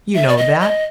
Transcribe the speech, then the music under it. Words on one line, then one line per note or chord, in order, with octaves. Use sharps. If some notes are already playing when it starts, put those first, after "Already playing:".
You know that.
E5
D5
D#5
D#5